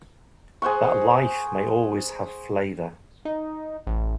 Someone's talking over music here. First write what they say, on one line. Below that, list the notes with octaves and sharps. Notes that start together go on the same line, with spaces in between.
That life may always have flavor.
G#4 C5 F#5 C#6
D#4
A1